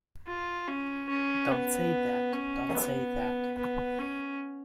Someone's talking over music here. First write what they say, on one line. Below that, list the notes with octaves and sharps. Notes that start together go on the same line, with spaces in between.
Don't say that, don't say that.
F4
C#4
C#4
B3
C#4
B3
B3
C#4